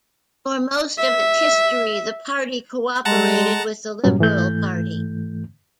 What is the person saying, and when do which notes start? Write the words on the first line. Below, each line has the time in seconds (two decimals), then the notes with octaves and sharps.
For most of its history, the party cooperated with the Liberal Party.
0.97 E5
3.05 G3 G#3 F#5 A5 A#5
4.04 G2 A#2 F#3 G3 C#4
4.19 G#2 E3 A3 G6